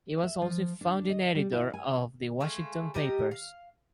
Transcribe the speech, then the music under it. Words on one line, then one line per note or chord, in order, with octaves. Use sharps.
He was also founding editor of "The Washington Papers".
E5
F3
D4
D#5
G3
E4
G#5
G#3 A3 G#4 F5
G3 G4 D#5 A#5
F5